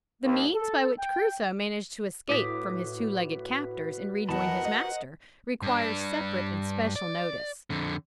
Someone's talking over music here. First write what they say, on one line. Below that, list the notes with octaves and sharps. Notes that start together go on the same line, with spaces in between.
The means by which Crusoe managed to escape from his two-legged captors, and rejoin his master, requires separate and special notice.
D#2
A4
G5
A2 F#4 B4 D6 D#6 B6
E2 A#4 D#5 F#5 A5 B5
C5 D#5
G2 D4
D5
F2 D3